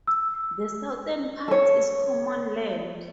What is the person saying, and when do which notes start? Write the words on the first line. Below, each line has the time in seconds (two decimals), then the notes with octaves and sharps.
The southern part is common land.
0.07 E6
1.48 A4 C#5